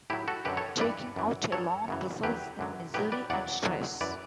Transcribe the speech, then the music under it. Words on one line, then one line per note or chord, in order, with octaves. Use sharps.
Taking out a loan results in misery and stress.
A2 F#3 E4 G4
F#4 A4
F#2 D3 F#3 G4 B4
A4 C#5
G2 E3 B4 D5
F#2 E3
G2 F#3 A4 C#5
F#2 C#3 E3
E2 D3 F#3 G4 B4
F#2 D3 F#3
A2 F#3 G4 B4
B4 D5
E2 C#3 F#3 D5 F#5
E2 D3 F#3
F#2 E3 B4 D5